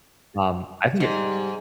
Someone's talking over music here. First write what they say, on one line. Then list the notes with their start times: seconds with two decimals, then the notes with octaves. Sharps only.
Um, I think it
1.00 G#2 G3